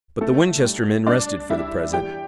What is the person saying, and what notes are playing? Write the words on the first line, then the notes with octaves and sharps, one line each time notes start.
But the Winchester men rested for the present.
A2 A3 A4
G3
G2 D4 D5
G3 E4 E5
E2 G4 G5